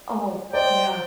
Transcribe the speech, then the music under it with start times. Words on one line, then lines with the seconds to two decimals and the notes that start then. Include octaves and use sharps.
Oh, yeah.
0.53 C5 D5 D#5 G5